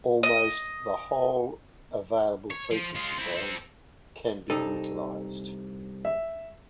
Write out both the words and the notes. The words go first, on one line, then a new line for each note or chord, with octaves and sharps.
Almost the whole available frequency band can be utilized.
D#5
C#5
F3
G#3 F4
C4 E4
C4 A4
C2 D#4 A4
E5